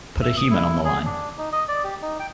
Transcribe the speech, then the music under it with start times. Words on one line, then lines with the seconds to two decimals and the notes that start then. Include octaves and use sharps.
Put a human on the line.
0.22 E5
0.37 D#6
0.51 E4
0.85 G#4
1.06 D4
1.38 D#4
1.52 D#5
1.68 D5
1.84 G4
2.02 D#4
2.20 G5